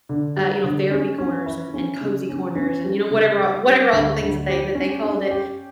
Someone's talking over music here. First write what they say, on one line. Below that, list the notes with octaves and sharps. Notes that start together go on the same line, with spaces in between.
uh, you know, therapy corners and and cozy corners and, you know, whatever all whatever all the things that they that they called it.
D3
G3
D3
C#4
C#4
E4
C#4
C#3
C#4
C#4
G3
C#3
G3
G3
D2
D2
G4
C#4
C#4
G4